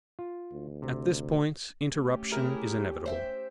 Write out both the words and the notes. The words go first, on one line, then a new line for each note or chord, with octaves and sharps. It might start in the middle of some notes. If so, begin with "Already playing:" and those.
At this point, interruption is inevitable.
F4
D2
C3
A3 C#4 G4
E4 G#4 A#4
C5 E5 G5